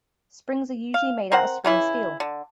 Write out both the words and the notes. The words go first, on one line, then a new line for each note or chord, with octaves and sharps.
Springs are usually made out of spring steel.
F5
C4 A#4 C5 F#5
C#3 E3 E4
D3